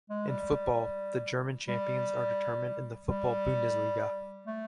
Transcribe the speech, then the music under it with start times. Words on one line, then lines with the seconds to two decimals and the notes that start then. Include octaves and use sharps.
In football, the German champions are determined in the football Bundesliga.
0.10 G#3
0.29 G3
1.68 G3
3.07 G3
4.47 A3